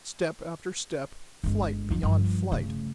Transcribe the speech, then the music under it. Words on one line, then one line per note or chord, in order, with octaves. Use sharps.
Step after step, flight beyond flight!
G1 G#3
F2 F3
G2 F3
C#3 A3